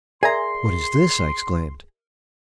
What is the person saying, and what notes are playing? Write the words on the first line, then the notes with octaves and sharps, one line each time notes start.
"What is this?" I exclaimed.
G#4 A#4 D5 E5 G#5 A#5 C6